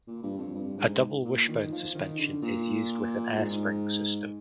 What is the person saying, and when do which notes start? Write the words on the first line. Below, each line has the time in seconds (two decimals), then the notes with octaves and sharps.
A double wishbone suspension is used with an air spring system.
0.08 A#2
0.23 G2
0.39 F2
0.55 G2
0.78 G#2
1.25 A#2
1.49 D#3
1.72 F3
1.95 D#3
2.19 D3
2.42 A#2
3.36 G#2